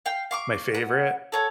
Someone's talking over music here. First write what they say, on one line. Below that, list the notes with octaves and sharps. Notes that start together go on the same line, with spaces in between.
my favorite.
F5 G5
F5 C#6 D6
B4 F#5
A4 C#5 F#5